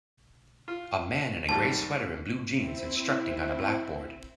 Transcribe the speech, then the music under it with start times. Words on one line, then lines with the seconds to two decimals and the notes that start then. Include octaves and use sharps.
A man in a gray sweater and blue jeans instructing on a blackboard.
0.68 F4
1.49 D#2 G#2 G3 A5
2.53 C4 E4